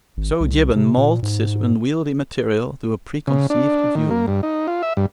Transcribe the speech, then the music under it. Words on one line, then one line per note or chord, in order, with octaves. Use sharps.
So Gibbon moulds his unwieldy material to a preconceived view.
G#1
C2
C3
A#2
G#2
C#3
D4
D#3
A#3
G2
D#4
F4
E5
G2